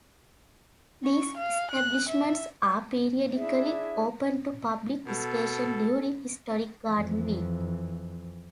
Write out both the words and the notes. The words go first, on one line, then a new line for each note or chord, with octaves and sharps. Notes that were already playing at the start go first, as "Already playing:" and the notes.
These establishments are periodically open to public visitation during Historic Garden Week.
C#6
F5
F#6
E5
D4 E4 G#4 E5
B2 A4
F2 E3